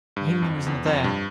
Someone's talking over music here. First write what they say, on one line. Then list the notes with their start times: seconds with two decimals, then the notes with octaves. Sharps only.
Hindley was not there.
0.16 G2
0.42 F2
0.66 E2
0.86 F2
1.04 G2